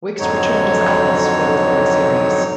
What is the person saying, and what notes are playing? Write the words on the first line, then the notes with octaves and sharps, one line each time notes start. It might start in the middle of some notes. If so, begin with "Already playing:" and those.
Wix returned as Alice for the third series.
F2 G#2 D3 F#3 D#4 C#5